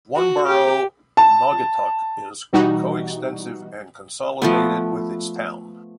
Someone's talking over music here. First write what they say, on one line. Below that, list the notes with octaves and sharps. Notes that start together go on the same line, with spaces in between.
One borough, Naugatuck, is coextensive and consolidated with its town.
F#4
G4
A5
B2 E3 G3 D#4 F#4
F3 A3 B3